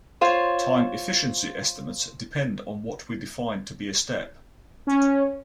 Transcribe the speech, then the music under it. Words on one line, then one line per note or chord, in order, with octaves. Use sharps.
Time efficiency estimates depend on what we define to be a step.
F4 C5 C#5
C#4